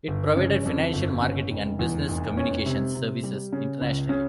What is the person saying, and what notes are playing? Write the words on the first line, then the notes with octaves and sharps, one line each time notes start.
It provided financial, marketing and business communications services internationally.
G1
C#3
F2
G1
C#3
F1
E2
F1
C#4
C3
C3
G3
C#3
C#2
C#3